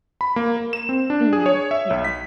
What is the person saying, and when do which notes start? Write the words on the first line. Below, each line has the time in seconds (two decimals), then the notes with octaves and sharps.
Mhm, yeah.
0.21 B5
0.36 A#3
0.57 A#4
0.73 E7
0.89 C4
1.10 D4
1.33 G#4
1.46 C#5
1.71 E5
1.90 B1
2.04 B6